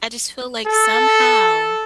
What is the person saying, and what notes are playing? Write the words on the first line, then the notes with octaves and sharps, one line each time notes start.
I just feel like somehow,
A4